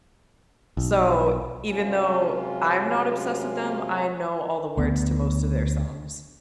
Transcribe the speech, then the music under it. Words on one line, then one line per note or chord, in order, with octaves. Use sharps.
so, even though I'm not obsessed with them, I know all the words to most of their songs.
B1
F#2 C3 G#3 C#4 F4
D2 B3